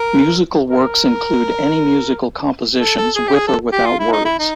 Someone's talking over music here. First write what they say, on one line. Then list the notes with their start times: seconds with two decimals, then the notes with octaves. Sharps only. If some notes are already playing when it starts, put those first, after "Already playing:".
Musical works include any musical compositions with or without words.
Already playing: A#4
0.70 A#4
2.80 A4
2.98 A4
3.15 G#4
3.28 G4
3.34 G#4
3.47 A4
3.73 G4
3.85 F4
3.99 E4
4.12 D#4
4.25 E4
4.39 D#4